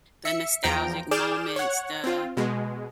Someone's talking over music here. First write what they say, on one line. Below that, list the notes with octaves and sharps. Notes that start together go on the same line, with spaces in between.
the nostalgic moments, the
E5 C#7
E2 F3 G5 A#5 D7
G#4 D5 D6 F6 G6 E7
C#5 F#5
C4 F4
B2 G#3